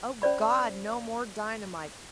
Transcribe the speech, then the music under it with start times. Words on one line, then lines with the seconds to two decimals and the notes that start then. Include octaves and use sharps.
O God! no more dynamite!
0.22 C#4 C5 D5 B5